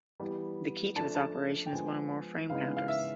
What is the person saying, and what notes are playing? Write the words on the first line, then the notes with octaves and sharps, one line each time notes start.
The key to its operation is one or more frame counters.
E3 G3 B3
F3 A3 D4 A5
A5
G5
F3 G#3 B3 G#5
C#3 E3 G#3 B3 D#4 F5
F5
E5